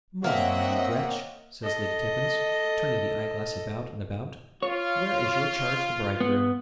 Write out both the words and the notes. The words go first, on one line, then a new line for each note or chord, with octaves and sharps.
'Mortimer, you wretch,' says Lady Tippins, turning the eyeglass about and about, 'where is your charge, the bridegroom?'
A#3 C4 C#5 D#5 E5 F#5
A4 D#5
F4 C#5
B3